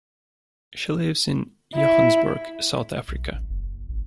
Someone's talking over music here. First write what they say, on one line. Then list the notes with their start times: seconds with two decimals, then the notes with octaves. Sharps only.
She lives in Johannesburg, South Africa.
1.75 E4
3.08 B1
3.33 A1
3.49 F#1
3.89 A1